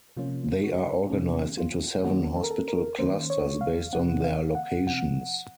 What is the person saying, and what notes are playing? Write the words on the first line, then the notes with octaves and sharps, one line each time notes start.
They are organised into seven hospital clusters based on their locations.
C3 F3 A#3 C#4 F4
F#4
C3 F3 A#3 C#4
F4
D#3 A#3 C#4 F#4
A4
A#4
A4
A#4
D#3 A#3 C#4 C5
C#5
F5
C3 F3 C4 F#5
F5
F#5
C3 F3 C4 F#5